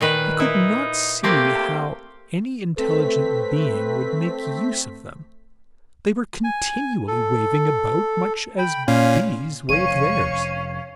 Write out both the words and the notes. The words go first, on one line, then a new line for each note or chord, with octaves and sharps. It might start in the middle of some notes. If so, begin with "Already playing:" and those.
He could not see how any intelligent being would make use of them; they were continually waving about, much as bees wave theirs.
A#2 D#3 B4
D#4 E4
A3 A#3 C4 G4
A3 C4 A4 B4 B6
G#5
A4
G5 B5
A#2 C#4 F5 C6
F1 C#4 F5 C#6 D#7